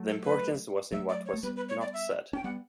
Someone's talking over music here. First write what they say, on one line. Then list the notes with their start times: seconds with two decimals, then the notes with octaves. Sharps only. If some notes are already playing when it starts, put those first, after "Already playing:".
The importance was in what was "not" said.
Already playing: F#3 A3
0.08 A4
0.24 B4
0.92 F#3 A3 E5
1.09 D5
1.25 C#5
1.34 A3
1.43 G3 B3 B4
1.56 B4
1.69 C#5
1.81 D5
1.93 E5
2.33 C#4 G5
2.44 G3 B3 F#5